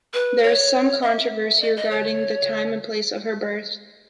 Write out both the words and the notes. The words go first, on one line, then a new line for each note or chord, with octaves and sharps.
There is some controversy regarding the time and place of her birth.
B4
C#5
E5
D#5
D#5
C#5